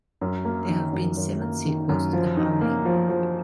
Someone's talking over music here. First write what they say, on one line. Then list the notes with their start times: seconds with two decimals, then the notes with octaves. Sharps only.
There have been seven sequels to "The Howling".
0.21 F#2
0.45 A#3
0.69 D#3
0.93 F#2
1.17 F#2
1.41 A#3
1.65 D#3
1.89 F#2
2.13 F3
2.37 D#4
2.61 A#3
2.85 F3
3.09 F3